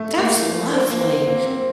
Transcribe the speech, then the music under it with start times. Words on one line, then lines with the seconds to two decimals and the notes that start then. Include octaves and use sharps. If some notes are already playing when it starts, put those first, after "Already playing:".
That's lovely.
Already playing: A3
0.19 A#3
0.73 C4
0.90 A#3
1.01 C4
1.21 C4
1.27 A#3
1.46 C4